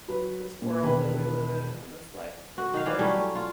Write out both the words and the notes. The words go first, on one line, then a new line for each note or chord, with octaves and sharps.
this world that we live in, and this life that we live.
F#3 B4
A#2
E1 D#3 G#4 B4
F#4
D#3 F5
E3 D5 F5
F#3 G3 A3 C#4
C#4
F4